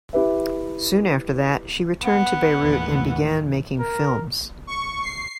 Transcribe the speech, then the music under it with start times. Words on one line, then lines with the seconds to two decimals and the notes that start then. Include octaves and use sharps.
Soon after that she returned to Beirut and began making films.
0.13 E4 G4 B4 E5
2.02 B3 F#5
2.58 D#2 A2 E3
3.80 A#4
4.67 C#6
5.02 C7